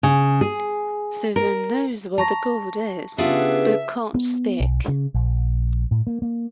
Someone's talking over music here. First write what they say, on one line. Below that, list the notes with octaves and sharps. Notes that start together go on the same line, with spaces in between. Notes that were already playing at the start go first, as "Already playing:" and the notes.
Susan knows where the gold is, but can't speak.
C#3
G#4
A#4
A5 A#5 C#6 A#6
C#3 B3 D4 F4 G4 G#4 E5
B3
B1
C#3
A#1
A2
A#3
A#3